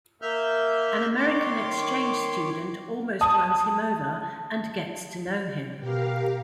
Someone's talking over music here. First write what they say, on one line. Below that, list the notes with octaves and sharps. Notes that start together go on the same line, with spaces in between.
An American exchange student almost runs him over and gets to know him.
A#3 E5 F6 G6
D#3 C#5 C6 D6
A5 D#6
B2 G4 A#4 F5